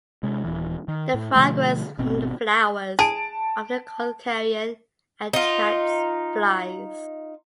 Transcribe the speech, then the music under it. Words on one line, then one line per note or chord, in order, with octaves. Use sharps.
The fragrance from the flowers, often called "carrion", attracts flies.
C3 G#3
D#1 E3
D#3
A2
B2 D3 F3 A3
G#1 B2 C4
G#4 A5 D7
D#4 F4